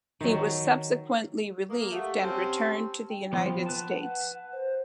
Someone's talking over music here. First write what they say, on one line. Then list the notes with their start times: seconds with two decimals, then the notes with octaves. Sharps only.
He was subsequently relieved and returned to the United States.
0.21 D#3 F#3
1.70 A#3 D#6
1.91 A3 G4 F5 F#5
2.20 C4 C#4 G4 A5
3.10 G5
3.33 F3 B3 F4
3.66 B4 A5
3.90 F#5
4.53 C5